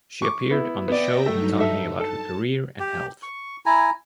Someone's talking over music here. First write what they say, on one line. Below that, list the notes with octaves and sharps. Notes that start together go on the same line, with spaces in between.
She appeared on the show, talking about her career and health.
C#6 D6
B3 E4
B3 D5 E5 G5 A#6
G2 F#3 A3 D#4
A4 E5
A4 A5
G4
C#6
E4 G#5 A#5